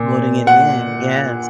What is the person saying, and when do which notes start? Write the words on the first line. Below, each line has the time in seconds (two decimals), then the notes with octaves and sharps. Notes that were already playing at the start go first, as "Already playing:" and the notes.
Loading it in, yes.
Already playing: A#2
0.47 F#5